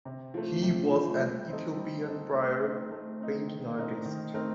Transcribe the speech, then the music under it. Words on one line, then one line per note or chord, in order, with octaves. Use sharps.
He was an Ethiopian prior Painting Artist.
C3
F3 A3
C3
F3 A3
G3
C4 D#4 A4
G3
C4 D#4 A4
A3
C4 D#4
A3
C4 D#4
D#3
A3 C4 D#4 A#4
D#3
A3 C4 D#4 A#4